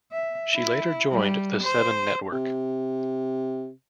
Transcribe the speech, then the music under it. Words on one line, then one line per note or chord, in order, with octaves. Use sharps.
She later joined the Seven Network.
E5
E4
G3
C5
C3